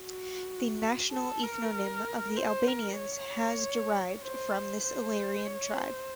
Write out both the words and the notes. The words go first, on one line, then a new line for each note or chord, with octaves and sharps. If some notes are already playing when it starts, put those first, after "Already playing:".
The national ethnonym of the Albanians has derived from this illyrian tribe.
Already playing: F#4
A4
A#4
C5
A#4
C#5
C5
C5
C#5
C5